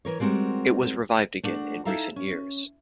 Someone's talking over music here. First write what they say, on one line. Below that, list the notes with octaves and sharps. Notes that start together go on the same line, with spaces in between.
It was revived again in recent years.
E3 A#4 C#5
G3 G#3 C4 F#4 A#4
A3 D4 F#4 F#5
D#4 E4 A4 E5 F5 A#5
C#4